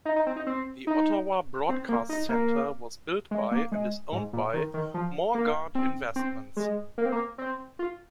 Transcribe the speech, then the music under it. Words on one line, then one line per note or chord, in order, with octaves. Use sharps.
The Ottawa Broadcast Centre was built by and is owned by Morguard Investments.
D#4
D#4
C4
D#4
C4
D#4
C4
A#3
D#4
A#3
G#3
A#3
G#3
G#2
A#2
D#3
D#3
F3
A#3
C4
C4
G#3
A#3
C4
A#3
C4
F4